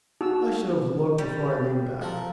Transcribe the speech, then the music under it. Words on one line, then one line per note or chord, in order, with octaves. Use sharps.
I should have looked before I leaned back.
D#4 F#4 E6
G3
F3 A4 A#4